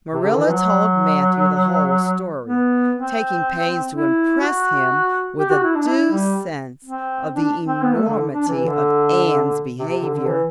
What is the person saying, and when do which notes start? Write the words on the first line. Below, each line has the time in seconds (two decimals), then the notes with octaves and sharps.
Marilla told Matthew the whole story, taking pains to impress him with a due sense of the enormity of Anne's behavior.
0.13 C3
0.25 D3
0.38 E3
0.50 F#3
2.46 B3
2.95 C4
3.93 E4
4.41 F#4
5.39 G4
5.51 F#4
5.64 E4
5.76 D4
5.87 E4
6.12 G3
6.85 C4
7.34 D4
7.67 C4
7.83 B3
7.95 A3
8.08 D3
8.32 D4
8.48 E3
8.65 D3
9.79 C3
9.91 C3
10.02 D3
10.14 D3
10.27 E3